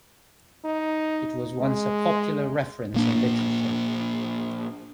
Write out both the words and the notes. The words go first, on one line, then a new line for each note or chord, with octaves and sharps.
It was once a popular reference in literature.
D#4
G#3
A#2 A#3 D4